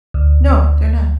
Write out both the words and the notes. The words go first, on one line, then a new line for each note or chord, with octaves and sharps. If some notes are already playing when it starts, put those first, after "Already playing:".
No, they're not.
D2